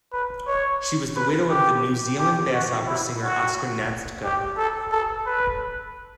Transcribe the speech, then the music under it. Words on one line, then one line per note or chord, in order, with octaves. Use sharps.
She was the widow of the New Zealand bass opera singer Oscar Natzka.
B4
C#5
B4
G4
G4
F#4
E4
F#4
G4
A4
A4
B4